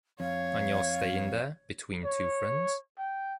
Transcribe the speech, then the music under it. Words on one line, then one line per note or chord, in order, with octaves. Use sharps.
And you’re staying there, between two friends?
F2 C#5 F5
C#5
G5